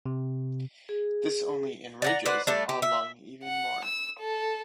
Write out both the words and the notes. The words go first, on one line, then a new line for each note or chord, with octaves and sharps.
This only enrages Ah Lung even more.
C3
G#4
D5 F#5 A#5
B4 C5 D5 F#5
G3 A3 D4
G4
E5
F#5
E6
A4